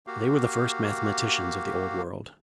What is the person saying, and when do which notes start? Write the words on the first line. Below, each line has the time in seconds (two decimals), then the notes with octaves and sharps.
They were the first mathematicians of the Old World.
0.07 A#3 F#4 G4 F5